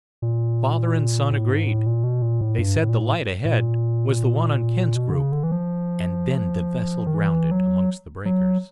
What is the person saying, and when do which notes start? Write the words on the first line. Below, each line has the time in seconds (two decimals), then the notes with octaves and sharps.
Father and son agreed; they said the light ahead was the one on Kent's Group, and then the vessel grounded amongst the breakers.
0.22 A#2
1.31 A2
1.49 G#2
1.68 A2
1.86 A#2
2.04 B2
2.22 A#2
2.41 A2
2.59 G2
2.77 A2
2.89 A#2
3.01 A2
3.45 A2
3.50 A#2
4.96 B2
5.10 D3
5.14 C#3
5.32 D3
5.43 E3
5.52 F3
7.06 D#3
7.15 E3
7.51 F#3
8.25 F#3